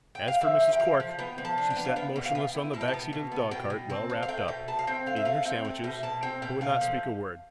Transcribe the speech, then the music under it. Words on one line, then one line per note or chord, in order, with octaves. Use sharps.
As for Mrs. Cork, she sat motionless on the back seat of the dogcart well wrapped up, eating her sandwiches, but would not speak a word.
G5
F5
F3 E5
F3
G5
F3 F5
F3
B3 G5
F3
A5
D4
G5
B3
F5
B3 G5
B2
F5
B3 G5
E4
B2 A5
G5
A5
B3
B2
B3
B2 G5
B2
C4 A5
C4
F5
A3 G5
B2 G5
B2 A5
F5
C4 G5
A3 F5
E5
A3 F5
C4 G5
A3
B2 G5
B2 A5
C4 G5
B2 G5
A3 F5
F3